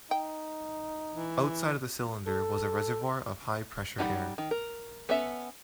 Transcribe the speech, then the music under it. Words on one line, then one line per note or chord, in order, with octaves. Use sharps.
Outside of the cylinder was a reservoir of high-pressure air.
D#4 G5
E3
A4
G3 D#4 F#5 G#5 B5
D#3
A#4
B3 C#4 A4 E5